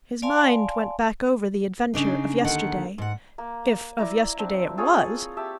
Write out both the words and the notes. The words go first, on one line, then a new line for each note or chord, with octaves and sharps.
His mind went back over the adventure of yesterday, if of yesterday it was.
D5 F5 G#5 A5 C6
C#3 D4 D#4
D#2 D3 D#3 F#5
G#2 F#5
A#3
E4 D5 E5 A#5
C4 D4
C4 F4 G#4 C#5
G4 E5 A5